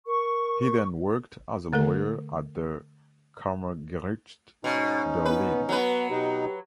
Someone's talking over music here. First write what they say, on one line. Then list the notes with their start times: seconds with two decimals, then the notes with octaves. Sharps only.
He then worked as a lawyer at the "Kammergericht Berlin".
0.06 A#4 C#6
1.73 D3 A3 A4 A#4
4.64 G#2 B2 C#4 D#4
5.25 B3 B4
5.69 F#3 B3 B4
6.11 B2 D#4 G4